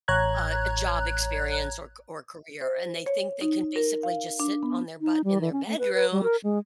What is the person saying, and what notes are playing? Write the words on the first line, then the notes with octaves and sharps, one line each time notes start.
uh, job experience or c or career and they think they can basically just sit on their butt in their bedroom
A1 C#5 A#5 F#6 G#6
C5
C#5
D#4
A#4
F5
D4
B3
D#4
G3
E3
C#4
A3
B4
B4
G3
A#4
G#3